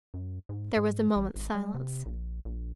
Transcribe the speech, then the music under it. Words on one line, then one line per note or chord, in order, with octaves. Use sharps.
There was a moment's silence.
F#2
G#2
G#2
A1
G#1
G3
C3
A#1
A#1